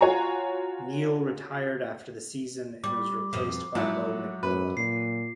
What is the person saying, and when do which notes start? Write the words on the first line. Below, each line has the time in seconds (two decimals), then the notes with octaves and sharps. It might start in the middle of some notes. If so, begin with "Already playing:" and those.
Neale retired after the season and was replaced by Bo McMillin.
0.01 F4 F#4 C#5 F5 G#5 A#5
2.84 G3 D6
3.33 F2 B2
3.75 G#2 F3 F#3 E4
4.43 F#2 B4
4.77 A#2 C7